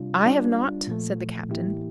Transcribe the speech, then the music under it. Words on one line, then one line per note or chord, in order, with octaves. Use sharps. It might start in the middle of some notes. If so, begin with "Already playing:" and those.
"I have not," said the Captain.
Already playing: C3 G3 D4 F4
G3 D4 F4
A#2 F3 A3
A2 E3 A#3 E4 G4